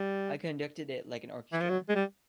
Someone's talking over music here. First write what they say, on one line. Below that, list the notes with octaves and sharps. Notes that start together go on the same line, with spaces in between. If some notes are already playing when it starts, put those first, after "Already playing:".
I conducted it like an orchestra.
Already playing: G3
E3
F3
F#3
G#3
G3